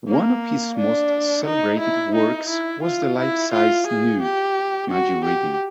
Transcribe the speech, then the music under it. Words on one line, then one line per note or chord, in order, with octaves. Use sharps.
One of his most celebrated works was the life-size nude, "Maggie Reading".
A#3
D4
D#4
E4
D#4
E4
F4
E4
F4
G#4
G4
F#4
G4